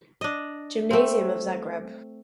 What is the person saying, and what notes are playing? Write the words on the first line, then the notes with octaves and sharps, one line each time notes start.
Gymnasium of Zagreb.
D4 D#5
A3 C4